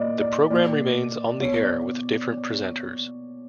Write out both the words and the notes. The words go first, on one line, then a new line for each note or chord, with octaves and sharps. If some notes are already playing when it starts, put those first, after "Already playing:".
The programme remains on the air with different presenters.
Already playing: A#2 D5 D#5
D5
A#2 D5
B2 C#5
D5